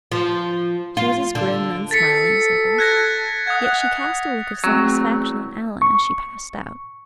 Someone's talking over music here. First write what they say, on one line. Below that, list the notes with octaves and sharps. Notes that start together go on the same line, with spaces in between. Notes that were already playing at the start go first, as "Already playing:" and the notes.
She was as grim and unsmiling as ever, yet she cast a look of satisfaction on Alan as she passed out.
F3
F4
D3
A4 A6 B6 C#7
F#6 G#6 A#6
F#5 D#6 G#6
E2 F#3 A3 C4
C#6